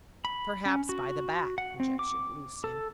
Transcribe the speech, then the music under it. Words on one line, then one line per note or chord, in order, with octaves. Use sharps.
"Perhaps by the back," conjectured Lucian.
B5
C#4
F#4
F#5
C4
D6
A4